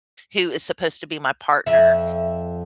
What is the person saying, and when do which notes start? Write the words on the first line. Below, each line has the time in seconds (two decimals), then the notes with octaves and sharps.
who is supposed to be my partner
1.66 F2 E5